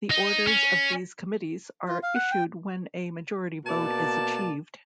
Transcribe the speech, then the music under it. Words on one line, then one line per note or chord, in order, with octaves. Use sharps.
The orders of these committees are issued when a majority vote is achieved.
D#4
C#4
F4
F5
F#5
G5
B2 A#3 D5 A5